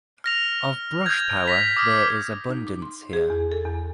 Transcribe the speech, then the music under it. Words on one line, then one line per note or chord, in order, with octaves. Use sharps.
Of brush-power there is abundance here.
F6 A#6 F7
G6 G#6
A#6 B6 F7
D6 D#6 F6
D#4
D6
C6
G#4
E2
A4
E2